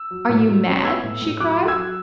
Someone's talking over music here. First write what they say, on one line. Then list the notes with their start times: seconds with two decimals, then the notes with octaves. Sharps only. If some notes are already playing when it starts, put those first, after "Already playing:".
"Are you mad?" she cried.
Already playing: E6
0.11 F#3
0.29 A2
0.48 F#3
0.66 C#4
0.85 B3 E6 G#6
1.04 A2
1.22 A2
1.40 F#3 D6 F#6
1.59 F#3
1.68 E6 G#6
1.77 F#3